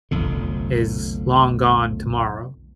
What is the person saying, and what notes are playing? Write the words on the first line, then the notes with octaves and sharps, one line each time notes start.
is long gone tomorrow.
F1 B1 F2 D3